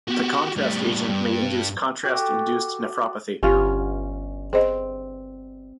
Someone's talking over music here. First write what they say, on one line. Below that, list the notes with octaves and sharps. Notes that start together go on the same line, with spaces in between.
The contrast agent may induce contrast-induced nephropathy.
B3 F#4 G4
A2 G3
G2 G3
F#4 G4 A4
G1 C#4 F4 G4
C4 G#4 C5 D#5